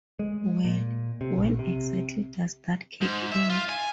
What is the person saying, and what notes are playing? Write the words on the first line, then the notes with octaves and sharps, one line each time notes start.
Well, when exactly does that kick in?
G#3
A#2
C3
A#1
C3
G#2
E5
F4
G#5